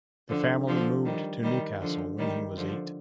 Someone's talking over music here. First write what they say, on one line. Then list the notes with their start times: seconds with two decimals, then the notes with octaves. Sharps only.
The family moved to Newcastle when he was eight.
0.29 D3 F3
0.68 D3 F3
1.05 D#3 G3
1.43 D#3 G3
1.81 D3 F3
2.19 D#3 G3
2.57 D3 F3